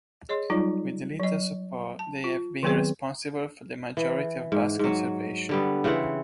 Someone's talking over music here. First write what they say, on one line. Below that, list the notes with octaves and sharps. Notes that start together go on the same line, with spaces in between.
With little support they have been responsible for the majority of bus conservation.
G#4 C#5 D#5 C6
F#3 G3 D#4 F4
F#3 D#5
A5
F4
D#3 F#3 B3 C4 G#4 B4
E3
G#2
G#2 F#3
D3 G3 B3
C#3 E3 C4 F#5